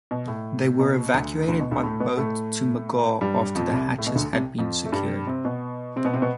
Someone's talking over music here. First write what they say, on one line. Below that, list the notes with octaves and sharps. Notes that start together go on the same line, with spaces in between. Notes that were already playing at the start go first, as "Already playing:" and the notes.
They were evacuated by boat to "McGaw" after the hatches had been secured.
B2
A2
B2
D2 D3
D2 D3
B2
D2 D3
A2 A3
B2 B3
A2 A3
G2 G3
F2 F3
C2 C3
A2
B2
D2 D3
C2 C3
F2 F3
A3
G2 G3
C3 C4
B2 B3
C3 C4
B2 B3
C3 C4
B2 B3